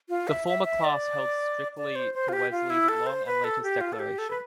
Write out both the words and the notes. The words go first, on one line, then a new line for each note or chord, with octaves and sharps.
The former class held strictly to Wesley's long and latest declaration.
F4
E5
E5
E5
D5
D5
C5
C5
F4
G4
F4
E4
A4
C5
B4
A4
G4
F4
A4
G4
A4
B4